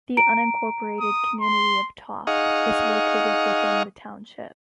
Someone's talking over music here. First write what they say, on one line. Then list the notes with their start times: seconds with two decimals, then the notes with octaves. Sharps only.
The unincorporated community of Tofte is located within the township.
0.17 A#5 D7
1.00 D#6
1.41 C6
2.27 D#4 G#4 D#5 F5 F#5 C#6